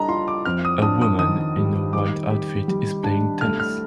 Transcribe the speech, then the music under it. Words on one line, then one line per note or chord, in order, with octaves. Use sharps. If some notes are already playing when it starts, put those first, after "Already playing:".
A woman in a white outfit is playing tennis.
Already playing: G3 D4 A4 D#5 A#5
F4 C6
D6
F2 F6
D#6
D4 D#6
D#6
D#3 D#6
G3
D#3 D6
G4
G3
D4
A3 F6
F6